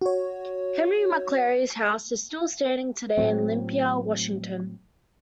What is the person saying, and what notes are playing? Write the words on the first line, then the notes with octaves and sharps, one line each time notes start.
Henry McCleary's house is still standing today in Olympia, Washington.
F#4 C#5
A2 F#3 C4